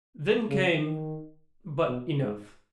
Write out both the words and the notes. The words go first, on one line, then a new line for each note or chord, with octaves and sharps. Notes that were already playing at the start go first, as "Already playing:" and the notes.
Then came--But enough!
C#3
D#3
B2
G#2